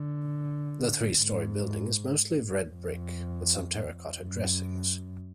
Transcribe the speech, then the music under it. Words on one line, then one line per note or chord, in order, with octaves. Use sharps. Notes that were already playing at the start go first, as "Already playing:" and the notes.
The three-storey building is mostly of red brick with some terracotta dressings.
Already playing: D3
G#2
F2
F#2